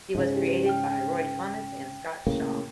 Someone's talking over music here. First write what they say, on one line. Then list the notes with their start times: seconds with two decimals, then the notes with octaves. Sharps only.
He was created by Roy Thomas and Scott Shaw.
0.15 G#2 C#3
0.35 E4 G4
0.66 G5 F6
2.27 A2 C#3 A#3